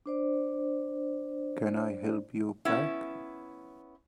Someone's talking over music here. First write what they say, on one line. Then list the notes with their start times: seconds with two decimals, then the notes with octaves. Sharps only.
Can I help you pack?
0.06 D4 C5 D5
2.65 B3 C#4 E4